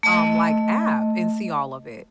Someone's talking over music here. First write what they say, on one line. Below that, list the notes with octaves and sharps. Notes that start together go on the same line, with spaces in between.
um, like, app and see all of it?
A3 D#5